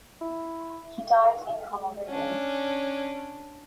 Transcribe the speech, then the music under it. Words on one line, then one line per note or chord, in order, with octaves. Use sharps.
He died in Honolulu.
E4
C#4 D4